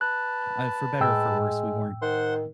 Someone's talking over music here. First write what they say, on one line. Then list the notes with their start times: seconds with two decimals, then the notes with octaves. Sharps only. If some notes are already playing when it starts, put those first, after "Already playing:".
uh, for better or for worse, we weren't,
0.01 B4 A5 F#6
1.01 A2 G#3 G5 E6
2.02 D#3 C5 F#5 C6